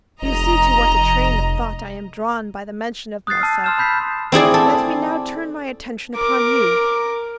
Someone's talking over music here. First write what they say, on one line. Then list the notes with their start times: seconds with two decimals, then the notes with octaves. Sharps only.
'You see to what a train of thought I am drawn by the mention of myself. Let me now turn my attention upon you.
0.22 F1 D#5 A#5
3.27 D#6 F#6 G6 A6 C7
3.41 A5 E6 F6
3.64 C6 D#6 F6 G6 E7
3.79 B5 G6 B6 C7
4.32 C4 E4 G#4 D5
4.54 A4
6.16 A#4 D6